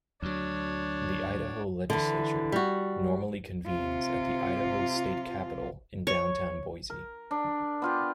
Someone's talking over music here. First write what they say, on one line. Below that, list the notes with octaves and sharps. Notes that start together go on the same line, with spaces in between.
The Idaho Legislature normally convenes at the Idaho State Capitol in downtown Boise.
D2 F#3 D4 C#5
D3 E3
G3 F#4
C3 F4
C#5
A#4
D4
B3 F4 G4